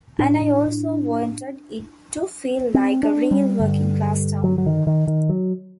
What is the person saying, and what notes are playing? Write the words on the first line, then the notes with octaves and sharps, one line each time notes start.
And I also wanted it to feel like a real working class town.
A2 D4
C4
D4
G3
G2 D3
F#3
F#3
D#3
D#3
D#3
F#3